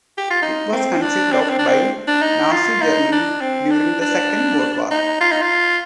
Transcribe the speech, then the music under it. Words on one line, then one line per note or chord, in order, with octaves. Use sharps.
It was conceived of by Nazi Germany during the Second World War.
G4
F4
D#4
C4
D4
C4
D4
C4
D4
C4
D4
D#4
F4
D#4
D4
C4
D4
D4
D#4
F4
D#4
F4